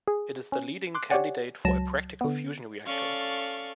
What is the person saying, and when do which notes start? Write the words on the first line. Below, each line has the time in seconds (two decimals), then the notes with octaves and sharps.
It is the leading candidate for a practical fusion reactor.
0.08 G#4
0.52 C#4
0.95 C6 D6 F#6
1.10 G4 C#5 D5 F#5 G#5
1.65 C#2 F#3 A5 A#6 E7
2.21 D3 B3
2.86 C#4 A4 D5 F5 C#6